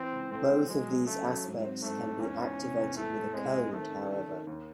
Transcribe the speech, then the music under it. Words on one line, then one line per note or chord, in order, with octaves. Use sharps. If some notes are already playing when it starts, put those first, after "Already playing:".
Both of these aspects can be activated with a code, however.
Already playing: E3 C4
C#2
A3 C4
A3
F#3 G#3
F#3
C#3 A3
F#3
G#2
C4
G#2 A3
G#2
E2 C#4
E2
C3
E2
A3 E4
A2
G#3 C4
C4
D#3 A3
C#4
D#3 A3
D#3
D#2